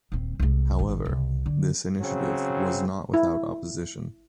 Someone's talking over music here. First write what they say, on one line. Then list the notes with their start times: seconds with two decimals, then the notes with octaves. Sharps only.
However, this initiative was not without opposition.
0.12 D#1 C4
0.39 C2 G#3
0.79 A1 D#3
1.05 C2 C#3
1.46 D3
2.01 C#3 F#3 C4
3.14 E4